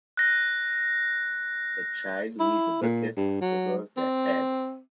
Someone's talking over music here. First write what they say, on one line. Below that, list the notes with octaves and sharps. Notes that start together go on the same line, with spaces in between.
A child with a bucket over their head.
F#6 A#6
E4
A#2
G2
F#3
C4